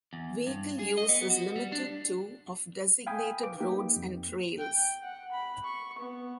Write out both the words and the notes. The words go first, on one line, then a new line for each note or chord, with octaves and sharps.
Vehicle use is limited to of designated roads and trails.
E2
G2
G#4
D#5
B3
F#4
G3
D4
F5 G5 G#5 B5 D#6
B4 D6
A#3 D#4 G4
F2
G5
F#5
B5
C#6
B3